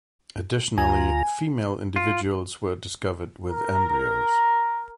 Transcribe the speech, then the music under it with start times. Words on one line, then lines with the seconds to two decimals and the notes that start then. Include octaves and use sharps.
Additionally, female individuals were discovered with embryos.
0.78 D2 F4 G#5 A#5
1.96 F4
3.51 A#4